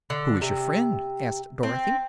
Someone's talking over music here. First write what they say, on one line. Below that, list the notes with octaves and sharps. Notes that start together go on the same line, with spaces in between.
"Who is your friend?" asked Dorothy.
D3
C3
C4